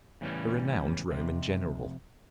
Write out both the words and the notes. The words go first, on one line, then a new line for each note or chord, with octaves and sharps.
A renowned Roman general.
E2 A2 C#3 E3 G3 C#4
F2 C3